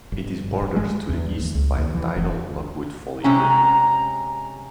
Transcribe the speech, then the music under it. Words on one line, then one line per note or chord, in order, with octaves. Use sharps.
It is bordered to the east by the tidal Lockwood Folly River.
G1
G1
G#3
E2
D#2
C#2
D#2
E3
F1
C3 G#3 C#4 A#5